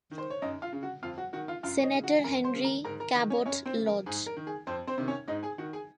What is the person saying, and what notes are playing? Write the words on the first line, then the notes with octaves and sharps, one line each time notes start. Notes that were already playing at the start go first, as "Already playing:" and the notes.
Senator Henry Cabot Lodge.
D#3
C5
C#5
F#2 D#4 D#5
F4 F5
C#3
F#4 F#5
F2 F4 F5
F#4 F#5
D#3 F#4 F#5
F4 F5
F#2 F4 F5
C#5
D#4 D#5
C#3
F#4 F#5
G#5
F#2 A#4 A#5
C5 C6
C#3
A#4 A#5
G#2 A#4 A#5
A#4 A#5
D#3 D#4 D#5
C#4 C#5
D#5
F#2 C#4 C#5
C4 C5
C#3
A#4
G#2 G#4
A#4
D#3
G#4
F2 C4 C5
C4 C5
C3 D#3
C#4 C#5
G#2 D#4 D#5
G#4 G#5
D#3 F#4 F#5
G#4 G#5